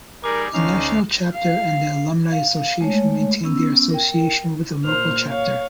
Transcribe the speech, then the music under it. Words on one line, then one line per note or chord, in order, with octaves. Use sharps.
The national chapter and the alumni association maintained their association with the local chapter.
G3 D#4 G#4 A#4 D6
D2 C#4 D#4 F5 F6
F5
F5
G#3 A3 C#5
B3 C#4 E6
A#4 G5
A#2 A#3 C5 F6
C#5 F5